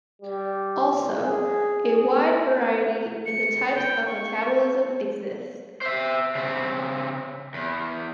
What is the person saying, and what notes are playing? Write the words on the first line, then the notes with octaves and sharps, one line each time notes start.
Also, a wide variety in the types of metabolism exists.
G3
G#4
C#7
G5
C#6
C5 E5
C#3 C4
E2